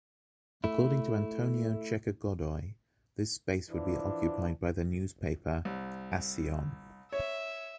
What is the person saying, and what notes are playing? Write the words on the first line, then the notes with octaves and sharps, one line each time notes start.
According to Antonio Checa Godoy, its space would be occupied by the newspaper “Acción”.
A3 E4
E3 F3 D4
C2
C#5 E5